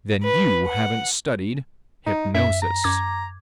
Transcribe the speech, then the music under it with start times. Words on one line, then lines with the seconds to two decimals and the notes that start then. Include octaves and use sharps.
Then you haven't studied hypnosis.
0.24 B4
0.68 F#5
2.06 D#4
2.34 F#2 E5
2.62 A#5
2.84 F#2 D6 G#6